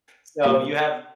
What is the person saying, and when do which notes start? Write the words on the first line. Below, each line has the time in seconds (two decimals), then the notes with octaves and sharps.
so, you have
0.43 A#2 G3 A#3